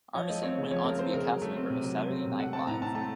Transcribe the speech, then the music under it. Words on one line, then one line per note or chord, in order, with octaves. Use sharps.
Armisen went on to be a cast member of "Saturday Night Live".
F3 C#5
A3 D#5
C4 C#5
C#3
F3 C#5
A3 A#4
C4 C5
C#3 A#4
F#3
A3
C4
C3
F#3
A3
C4
C3
A3 F#5
C4 A5
A2 A#5
A2 A5
A3 A5